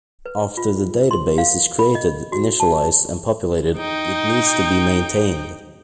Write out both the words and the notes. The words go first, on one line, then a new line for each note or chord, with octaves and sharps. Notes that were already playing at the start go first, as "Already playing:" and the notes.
After the database is created, initialised and populated it needs to be maintained.
B4
F4
C6
F5
B5
D#5
F#4
A5
D#4 G5